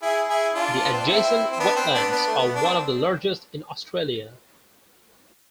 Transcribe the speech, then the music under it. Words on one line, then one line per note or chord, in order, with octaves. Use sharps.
The adjacent wetlands are one of the largest in Australia.
E4 G#4
E4 G#4
D4 F4
B3
C4
D4
C4 E4
C4
B3 D4
C4
B3 D4
B3 D4
A3
B3
D4
C4